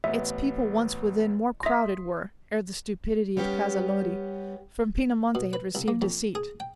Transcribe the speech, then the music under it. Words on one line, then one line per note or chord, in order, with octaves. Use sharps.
Its people once within more crowded were, Ere the stupidity of Casalodi From Pinamonte had received deceit.
A1 B3 E5
E5 C6 D#6 A#6 B6
G3 B3 C#4 G4
B2
B4
C2
A#3
F2
G#4
G5